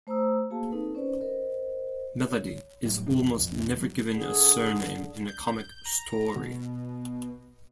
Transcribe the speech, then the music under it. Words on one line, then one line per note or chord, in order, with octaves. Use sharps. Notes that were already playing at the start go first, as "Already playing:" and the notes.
Melody is almost never given a surname in a comic story.
A3 C5 A#5 D#6 E6
A#3 F#4 G#4 F5 A5
C4 D#4 A4 B4
C#4 B4 C5 D5
A#4 C5 D#5
C#5
A2 F#3 G3
G2 D4
E1
A#1 F2
D#2 B2 A#3 D4
F#3 A3
D3 G#4
G6
A#5
B2